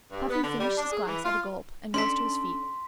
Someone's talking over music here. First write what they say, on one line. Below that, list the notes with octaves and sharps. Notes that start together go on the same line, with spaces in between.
Puffin finished his glass at a gulp, and rose to his feet.
G2
B3
D3
G3
D4
G#4
E3
F4
C#4 D4 A4 C6 B6